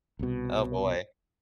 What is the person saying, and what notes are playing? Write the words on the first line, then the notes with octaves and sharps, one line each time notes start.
Oh, boy.
C2 B2